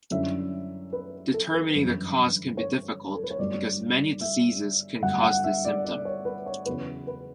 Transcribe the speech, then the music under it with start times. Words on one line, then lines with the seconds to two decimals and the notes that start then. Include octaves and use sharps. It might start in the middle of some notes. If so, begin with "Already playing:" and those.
Determining the cause can be difficult, because many diseases can cause this symptom.
0.11 F#2 D3 G3 C#4 E4 E5
0.93 B4
1.34 A4
1.55 B4
1.75 G1 F#2 E3
2.57 C#5
3.15 A4
3.23 B4
3.31 C#5
3.39 G1 G2 F#3 A3 D5
4.21 E5
5.02 G1 G2 D3 F#3 A3 F#5
5.23 F#5
5.44 E5
5.65 D5
5.84 D5
6.05 C#5
6.25 B4
6.46 C#5
6.66 E2 C#3 F#3 C#4 E4 B4
7.07 B4